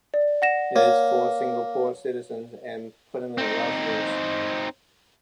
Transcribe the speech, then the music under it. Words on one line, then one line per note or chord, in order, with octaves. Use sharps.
It is for Singapore citizens and Permanent Residents.
D5
F#5 A#6 E7
A#3 C#5
C4 D#4